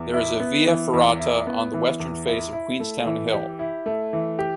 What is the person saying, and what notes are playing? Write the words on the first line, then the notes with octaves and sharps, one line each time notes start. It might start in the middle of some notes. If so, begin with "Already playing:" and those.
There is a via ferrata on the western face of Queenstown Hill.
Already playing: E2
E4
B3
E3
E2
E4
B3
E3
E2
E4
E4
A3
E3
G4
E4
A3
E3
G4